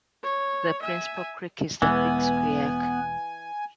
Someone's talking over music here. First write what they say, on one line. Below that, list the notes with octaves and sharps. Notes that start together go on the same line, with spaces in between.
The principal creek is the Pixquiac.
C#5
E5 G#5
E1 E3 G#3 B3 G#5